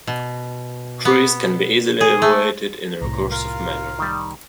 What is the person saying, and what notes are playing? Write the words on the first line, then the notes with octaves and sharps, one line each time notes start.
Trees can be easily evaluated in a recursive manner.
B2
B3
G#4
A3
C2 A2 A#5
F4 A#4 F5
D#3 G3